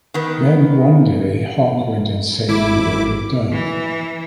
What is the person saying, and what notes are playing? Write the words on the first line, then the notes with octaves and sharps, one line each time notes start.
Then one day, Hawk went insane and murdered Dove.
D#3 B3
G#1 E4 D6
E3